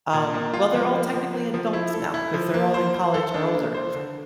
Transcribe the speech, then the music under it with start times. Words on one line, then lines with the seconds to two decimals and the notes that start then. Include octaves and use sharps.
um, well, they're all technically adults now, 'cause they're all in college or older,
0.13 A#2
0.34 A#3
0.53 F4
0.74 F3
0.94 A#3
1.14 F3
1.33 A#3
1.54 F3
1.73 E4
1.94 A4
2.14 E4
2.34 F3
2.54 A#3
2.74 C5
2.94 C5
3.14 A4
3.34 D4
3.54 A#3
3.74 C5
3.95 D3